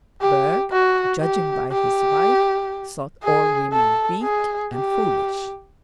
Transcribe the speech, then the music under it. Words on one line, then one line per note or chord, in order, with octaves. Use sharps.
Berg, judging by his wife, thought all women weak and foolish.
G4
F#4
G4
G4
G#4
A4
G#4
G4